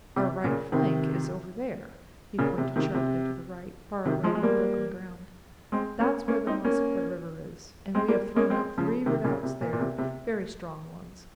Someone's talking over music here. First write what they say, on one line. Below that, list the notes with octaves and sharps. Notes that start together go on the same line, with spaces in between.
Our right flank is over there"--he pointed sharply to the right, far away in the broken ground--"That's where the Moskva River is, and we have thrown up three redoubts there, very strong ones.
C3
A#2 C#3
C3 D#3
A#2 C#3
C3
C3 D#3
C3
C3 D#3
F3 G#3
G#3
G3 A#3
G#3 C4
A#3 C#4
A#3 C#4
C4 D#4
A#3 C#4
G#3 C4
G3 A#3
A#3 C#4
G#3 C4
C#3 F3
C3 D#3
A#2 C#3
C3
A#2
A#2
C3
C3